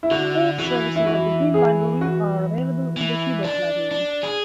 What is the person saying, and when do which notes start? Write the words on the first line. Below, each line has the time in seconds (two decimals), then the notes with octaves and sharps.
All services at the Green Library are available in the Hubert Library.
0.03 E4
0.11 D3 F#4
0.59 E3 F#4
0.96 E4
1.06 F#4
1.54 G#4
2.01 F#4
2.97 E3
3.44 D4
3.91 D4
4.23 G#4